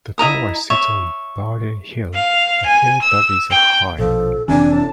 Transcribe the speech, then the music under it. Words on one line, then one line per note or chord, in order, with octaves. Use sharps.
The tower sits on Baden Hill, a hill that is a high.
E4 D#5 A#5 D#6
C#5 E5
F5
G#5
E6
G5
A#1 B2 F3 A4
F1 C3 E3 D4 G#5
A2 A5